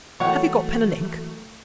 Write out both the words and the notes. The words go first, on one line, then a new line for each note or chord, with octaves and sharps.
Have you got pen and ink?
E3 F#3 A3 A#3 C#5 F#5 G5